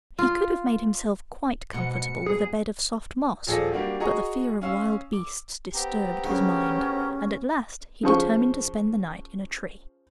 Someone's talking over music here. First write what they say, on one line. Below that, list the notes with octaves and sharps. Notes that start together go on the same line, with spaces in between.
He could have made himself quite comfortable with a bed of soft moss, but the fear of wild beasts disturbed his mind, and at last he determined to spend the night in a tree.
F4
G#2 B2 C#7
G#4
D#1 F3 G#4 A4 D5 A#6
G3 A#3 D4 F#4 G4
F#4 G#4 D#5 A#5 C#6 D#6
C#4 F5 E6
D6
B3 C4 G4 A#5
D2 C#3 C#4
C#3 F3 C#6